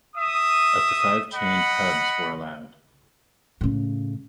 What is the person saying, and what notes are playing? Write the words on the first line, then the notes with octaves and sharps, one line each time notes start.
Up to five chained hubs were allowed.
E5 D#6
D#5 F#5 B5
A2 C#3